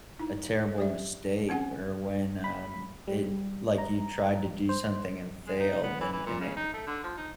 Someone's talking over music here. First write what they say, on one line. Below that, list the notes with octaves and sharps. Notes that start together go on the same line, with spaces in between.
a terrible mistake or when, um, it like, you tried to do something and failed, and and it
D#4 E4
G4 D5 E5
C4 C#4 F#5 G#5
B5
G3
A#5
C5
G#3
D#4
B3
E3
E3
A#2
C#3
D#4
A3
D3
F3
D#4